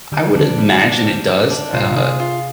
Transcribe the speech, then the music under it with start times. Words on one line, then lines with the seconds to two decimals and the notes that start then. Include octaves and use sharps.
I would imagine it does, uh,
0.12 D3 G3
0.35 D3 D4
0.58 G3
0.81 D4
1.04 G3
1.27 G3
1.50 D4
1.73 C3 F4
1.82 A#2
1.91 C3
1.97 G#4
2.20 F4